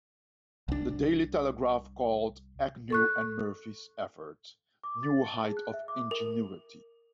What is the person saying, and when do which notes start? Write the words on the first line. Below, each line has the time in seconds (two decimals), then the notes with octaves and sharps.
"The Daily Telegraph" called Agnew and Murphy's effort, "new heights of ingenuity".
0.68 C2 D4
2.90 A4 C#6 F#6
4.84 D6
5.03 A6
5.22 A5
5.45 G#4
5.57 F#6
5.74 E5
5.88 D6
6.11 A#4